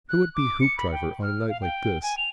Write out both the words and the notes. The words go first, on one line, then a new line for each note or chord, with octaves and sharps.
Who would be Hoopdriver on a night like this?
F#6
D6
C#7
B5
G5
F6
F5
G5
G#5
F7